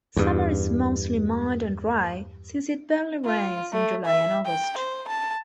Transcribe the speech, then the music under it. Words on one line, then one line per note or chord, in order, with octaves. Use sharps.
Summer is mostly mild and dry since it barely rains in July and August.
E2 G2
F4
A3
E5
G5
C5
A5